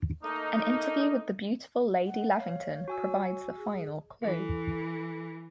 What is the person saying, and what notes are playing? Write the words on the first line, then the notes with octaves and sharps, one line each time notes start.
An interview with the beautiful Lady Lavington provides the final clue.
A3 A#3 D#4
F#5
C#5 F5
F#4 G#5 E6
G#4
E3 A4